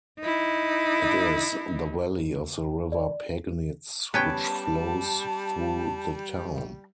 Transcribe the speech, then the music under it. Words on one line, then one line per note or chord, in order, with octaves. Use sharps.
It is in the valley of the River Pegnitz, which flows through the town.
D#4 E4
D5
G3 B3 C#4 G5 A5